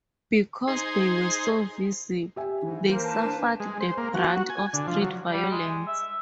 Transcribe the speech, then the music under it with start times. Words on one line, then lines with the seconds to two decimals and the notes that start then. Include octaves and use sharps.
Because they were so visible, they suffered the brunt of street violence.
0.68 D#4 G#4 C5
2.36 G4 E5 G#5
2.62 G#2 E3
2.88 A#3 A#4 C5
3.03 B4 G#5 A5
3.25 D4
3.60 G#3
3.80 C5
3.98 A#3
4.15 F#4
4.50 G#5
4.73 D3
4.88 F3
5.01 F#3
5.32 G3
5.51 G#3
5.87 E5